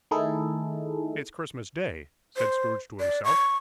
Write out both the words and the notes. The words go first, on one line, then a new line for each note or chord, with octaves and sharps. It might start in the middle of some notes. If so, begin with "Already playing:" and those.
'It's Christmas Day!' said Scrooge to himself.
D#3 A3 D#4 E4 G#4 A4
C5
D5
C#6